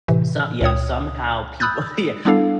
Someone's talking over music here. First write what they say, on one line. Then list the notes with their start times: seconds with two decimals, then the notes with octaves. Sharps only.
So Yeah, somehow people yeah
0.08 A2 C3 E3
0.61 C#2 A#2 C#5 D#6
1.60 B5 D#6 E6 F#6 G6 A6
2.25 G3 B3 D4 E4 A4 F5